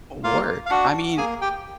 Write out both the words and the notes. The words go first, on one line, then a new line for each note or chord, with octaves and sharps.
work. I mean,
A#3 F4 F5
F5
D4 F#4 F#5
A#3 G#4 G#5
G4 G5